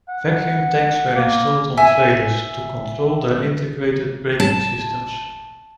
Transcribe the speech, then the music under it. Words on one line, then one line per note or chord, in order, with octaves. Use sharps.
Vacuum tanks were installed on trailers to control their integrated braking systems.
F#5
A#3
E5 G#5
A5